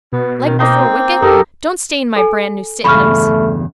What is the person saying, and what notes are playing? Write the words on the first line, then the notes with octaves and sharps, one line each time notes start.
Leg before wicket. Don't stain my brandnew sitinems.
B2 B3
D#3
A#3 C4 D#4 C6
F#2 D#4 G4 A4 A#4
A4 G#5
E2 G2 C#3 A3 B5 C#6 F6